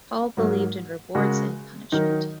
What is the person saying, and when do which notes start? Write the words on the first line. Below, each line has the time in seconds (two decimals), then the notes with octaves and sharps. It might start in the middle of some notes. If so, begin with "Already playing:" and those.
Paul believed in rewards and punishment.
0.37 G#2 F#3 A#3
1.15 C#3 G#3 F#4 A#4
1.92 D#3 F#3 D#4 A#4